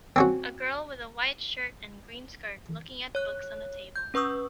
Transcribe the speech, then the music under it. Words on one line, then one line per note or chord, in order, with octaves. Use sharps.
A girl with a white shirt and green skirt looking at books on a table.
C4 C#4 F#4
C#5 F#6
G6
C#4 B4 C#6 D#6 E6